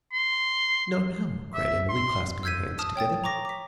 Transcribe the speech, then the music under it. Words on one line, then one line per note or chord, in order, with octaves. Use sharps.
'No! no!' cried Emily, clasping her hands together.
C6
E5
C6
E6 F6 G6 G#6 B6 D#7
A5 D#6 F6
C#5 G5 D#6 A6
A#5 C#6 D6 A#6
D6 B6